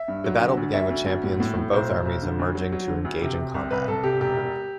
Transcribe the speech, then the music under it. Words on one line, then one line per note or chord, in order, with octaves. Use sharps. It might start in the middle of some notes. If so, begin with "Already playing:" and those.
The battle began with champions from both armies emerging to engage in combat.
Already playing: E5
G2
F#3
D3
D2
D2 E5
D2
D2
A2
A2
A2
B1 C5
B1
B1
D3
D2
F#3
F#3
D3
D2
C3
C3
C2
C2 B4
C2 A4
C3 G4
E1 G4
E1